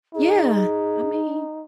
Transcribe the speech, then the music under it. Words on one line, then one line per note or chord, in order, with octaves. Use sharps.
yeah, I mean
D#4 G#4